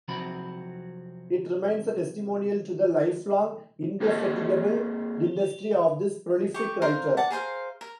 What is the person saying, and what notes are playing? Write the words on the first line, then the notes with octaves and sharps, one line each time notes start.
It remains a testimonial to the lifelong indefatigable industry of this prolific writer.
C3 F3 F#3 C4 F#4 B5
A#3 C4 G4 G#4 D#5 A5
G4 C#6
A#4 C5 F5 C6
D5 F#5 A5
G#4 A#4 C5 F5
A#4